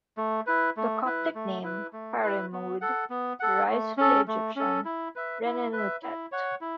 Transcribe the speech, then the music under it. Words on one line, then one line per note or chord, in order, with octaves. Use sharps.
The Coptic name "Paremoude" derives from the Egyptian Renenutet.
A3
E4 B4
A3
E4 B4
A3
E4 B4
A3
E4 B4
B3
A4 F#5
B3
A4 F#5
A3
C#4 A4
A3
C#4 A4
E4
B4 E5
E4
B4 E5
E4
C#5 F#5
E4